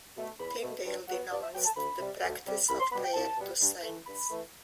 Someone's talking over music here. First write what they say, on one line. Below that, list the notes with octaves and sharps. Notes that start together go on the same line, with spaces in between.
Tyndale denounced the practice of prayer to saints.
B2 A3
E2 B5
B2 A3
G2
F#3 B3 F#5
G2 D5
E5
F#3 B3 G5
A5
D2 B5
C3 G3
D2
C3 G3
C2 B5
C6
B2 G3 B3 B5
G5
C2 A5
B2 G3 B3
G2
E3 A3
G2 B5
E3 A3